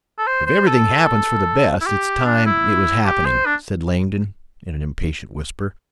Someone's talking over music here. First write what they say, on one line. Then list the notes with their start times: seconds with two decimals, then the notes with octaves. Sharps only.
"If everything happens for the best it's time it was happening," said Langdon in an impatient whisper.
0.19 A4
0.27 C5
0.47 C5
0.67 A4
1.81 E4
1.86 G4
2.26 D4
2.46 E4
3.05 G4
3.25 C5
3.46 D4